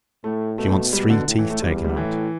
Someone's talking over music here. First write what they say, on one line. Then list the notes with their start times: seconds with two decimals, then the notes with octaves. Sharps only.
She wants three teeth taken out.
0.24 A2 A3
0.58 B2 A3
0.93 B2 G3
1.10 D3
1.28 A2
1.39 E3
1.50 A3
1.62 E2 G3
1.85 G3
1.97 A2 E3